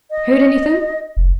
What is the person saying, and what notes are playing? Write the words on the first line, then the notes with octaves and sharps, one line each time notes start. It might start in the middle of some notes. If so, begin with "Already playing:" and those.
Heard anything?'
D#5
F1